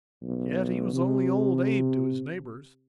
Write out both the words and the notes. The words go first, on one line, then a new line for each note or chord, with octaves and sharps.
Yet he was only "Old Abe" to his neighbors.
B1
C3